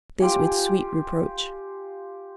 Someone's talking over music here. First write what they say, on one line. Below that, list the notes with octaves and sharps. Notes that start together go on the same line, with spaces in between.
This with sweet reproach.
F4 G4 G#5